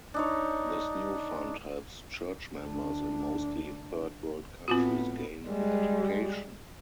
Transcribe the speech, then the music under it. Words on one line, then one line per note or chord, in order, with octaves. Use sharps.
This new fund helps church members in mostly third-world countries gain an education.
D4 D#4 C#5
D2 D4
A2 B3 C4 F4 F#4
G3 G#3